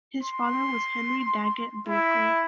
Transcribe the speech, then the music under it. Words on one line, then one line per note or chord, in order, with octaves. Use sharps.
His father was Henry Daggett Bulkley.
C6
E4